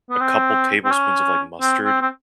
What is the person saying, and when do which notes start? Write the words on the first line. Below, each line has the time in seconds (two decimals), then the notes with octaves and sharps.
a couple tablespoons of, like, mustard
0.10 B3
0.21 C4
0.84 C4
0.91 C#4
1.61 C4
1.84 C4
2.02 C4